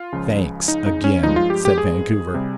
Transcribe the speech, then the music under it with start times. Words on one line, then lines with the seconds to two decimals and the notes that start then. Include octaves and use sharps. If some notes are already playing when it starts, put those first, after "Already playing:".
"Thanks, again," said Vancouver.
Already playing: F4
0.12 C#2 C#3 F3
0.68 D#4
0.86 D#4
1.04 C#4
1.23 G2 F3 G#3 D#4
1.36 F4
1.50 G4
1.65 G4
1.78 G#4
2.34 C3 G3